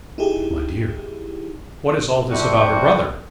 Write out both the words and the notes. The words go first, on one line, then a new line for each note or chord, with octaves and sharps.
"But, my dear, what is all this about her brother?"
D#4 E4 G4 G#4
C3 F3 D4 E4 F#4 G4